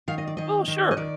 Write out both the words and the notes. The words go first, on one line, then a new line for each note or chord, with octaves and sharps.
Well, sure.
D#3 F5
D#5
D5
D#3 D#5
D#3
D#5
D#3 D5